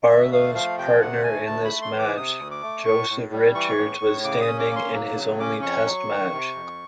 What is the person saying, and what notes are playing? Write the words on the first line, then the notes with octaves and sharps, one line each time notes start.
Barlow's partner in this match, Joseph Richards, was standing in his only Test match.
D2 E5
A3 F5
F3 F5
C3 G5
D2 F#5
A3 G#5
D2 A5
B5
A3
C6
E3
D6
C3 D#6
D2
D6
A3
A2 C#6
A2
G3
E3 C#6
A2
A2
C#3 D6
D#6
C#4
D6
A#3
C6
F#3
C#3
C#4 D6
F2 C#6
F#3
D#3
C3
F2